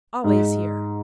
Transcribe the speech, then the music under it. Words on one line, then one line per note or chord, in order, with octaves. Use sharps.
"Always here!"
G#2